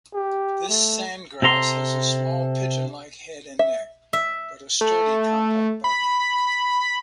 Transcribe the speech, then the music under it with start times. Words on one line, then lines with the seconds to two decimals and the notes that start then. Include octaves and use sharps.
This sandgrouse has a small, pigeon-like head and neck, but a sturdy compact body.
0.14 G4
0.69 A3
1.42 C3 A4 A#5 C6
3.59 E5
4.13 E5
4.81 A3
5.84 B5